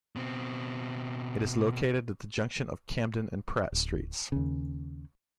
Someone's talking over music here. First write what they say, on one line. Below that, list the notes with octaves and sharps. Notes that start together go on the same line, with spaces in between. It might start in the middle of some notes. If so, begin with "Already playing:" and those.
It is located at the junction of Camden and Pratt Streets.
B2 C4
D1
D#2 C#3